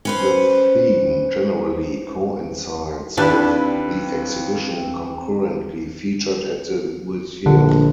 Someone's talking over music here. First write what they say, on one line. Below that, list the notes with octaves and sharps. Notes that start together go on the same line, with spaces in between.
The theme generally coincides with the exhibition concurrently featured at the museum.
C#4 B4 C5
D#2 C4 D4 E4 G4 B4 D5
A#1 D3